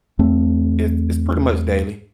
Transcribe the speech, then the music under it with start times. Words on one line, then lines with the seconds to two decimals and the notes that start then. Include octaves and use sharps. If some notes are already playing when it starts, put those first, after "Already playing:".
It's it's pretty much daily.
0.19 E2 A3 C4